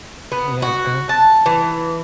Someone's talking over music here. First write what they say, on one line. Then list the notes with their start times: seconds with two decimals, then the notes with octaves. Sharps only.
Yeah, so
0.32 B3
0.62 F#4
1.09 A5
1.46 E3